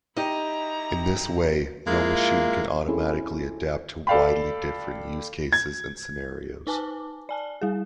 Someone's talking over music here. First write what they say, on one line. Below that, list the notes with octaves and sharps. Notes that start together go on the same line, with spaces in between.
In this way NoMachine can automatically adapt to widely different use-cases and scenarios.
D#4 E4 G4 D#5 A#5
G#3 A#3 E4 F4
C4 C#4 E4 G#4 A4
A4 D5 F5 G5 B5
G#6
D#4 B4 G#5 A5 D6
D5 G#5 A5
G3 G#4